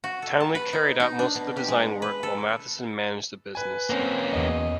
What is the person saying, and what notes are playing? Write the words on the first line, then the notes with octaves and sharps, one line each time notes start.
Townley carried out most of the design work while Matheson managed the business.
F#4
A4
A5
B4
D#4
D#4
D4
B2
G4
G#3
B4
A4
B4 G#5
A#3 C4 C#4
E2 D#5